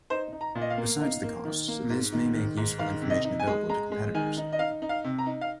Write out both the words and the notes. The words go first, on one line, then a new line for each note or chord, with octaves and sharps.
Besides the cost, this may make useful information available to competitors.
D#4 C5
D#4
A#5
A#2
D#5
F5
A#3
D#4
A#3
D#3
A#3
G#2
D#3
D#3
G#2
D#3 F5
C3
D#5
D#4
G#5
G#3
G#3 A#5
G#3
D#3 G#5
D#4
D#5
D#4 F5
D#4
F5
C3
A#5
D#4
F5